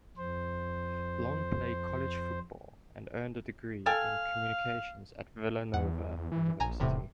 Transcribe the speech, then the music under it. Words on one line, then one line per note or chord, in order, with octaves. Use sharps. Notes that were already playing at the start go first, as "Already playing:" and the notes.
Long played college football and earned a degree in communications at Villanova University.
F2 C5
A4 F5 G5 G#5
E2 F#5
E3
A#1 G#5 A#5
D#1 E2 A2 C3